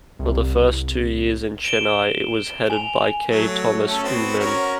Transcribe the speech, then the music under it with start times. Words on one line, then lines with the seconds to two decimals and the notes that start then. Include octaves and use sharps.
For the first two years in Chennai it was headed by K Thomas Oommen.
0.19 C2
1.65 D7 E7 G7
2.70 G#5 F7
3.30 F#3 A3
3.86 A3 C#4 A4
4.04 B3 C4 F#4
4.39 C#4 F#4 A#4